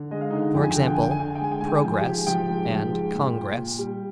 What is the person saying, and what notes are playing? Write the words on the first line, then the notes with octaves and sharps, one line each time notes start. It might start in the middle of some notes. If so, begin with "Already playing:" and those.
For example, Progress and Congress.
Already playing: D3
G#3 D#5
F5
D3 D#4 D#5
F2 G5
G#5
G5
D3 G#5
G5
D3 G#5
G5
G#5
D3 G5
G#5
G5
G#3 G#5
G5
G#2 G#5
G5
G#5
F3 G5
G#5
G#2 G4 G5
F3 G4 G5
G#2
F3
G#2
A#2
A#2
A#2
G3